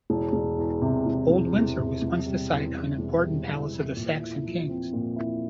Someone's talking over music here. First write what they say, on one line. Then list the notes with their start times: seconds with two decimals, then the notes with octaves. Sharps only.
Old Windsor was once the site of an important palace of the Saxon Kings.
0.10 E1
0.33 E1
0.58 E2
0.82 C3
1.06 E1
1.30 E1
1.54 E2
1.79 C3
2.02 E1
2.26 G3
2.51 E2
2.75 E3
2.99 E1
3.23 G3
3.48 E2
3.72 E3
3.96 A#2
4.20 E4
4.44 F3
4.69 C4
4.93 A#2
5.16 E4